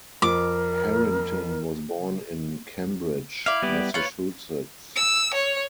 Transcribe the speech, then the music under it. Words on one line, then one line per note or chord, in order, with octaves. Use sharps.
Harrington was born in Cambridge, Massachusetts.
F2 A#4 D6
E4 D5 F5
G3 B3 G4
F4 B4 C#5
E6
C#5